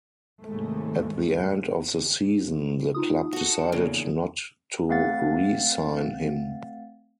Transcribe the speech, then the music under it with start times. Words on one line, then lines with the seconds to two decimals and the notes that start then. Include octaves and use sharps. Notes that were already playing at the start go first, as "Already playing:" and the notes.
At the end of the season, the club decided not to re-sign him.
0.44 D#2 G#2 C3 G#3 A3
2.95 D#4 F4 D#6
3.33 F#4 A4
3.72 E2 A#2 C#3
4.89 A3 C4 F5 F#5 A6